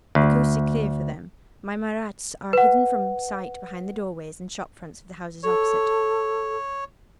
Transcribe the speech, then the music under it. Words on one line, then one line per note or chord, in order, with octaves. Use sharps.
The coast is clear for them--my Marats are hidden from sight behind the doorways and shop-fronts of the houses opposite.
D2
B4 F#5
A4 C#5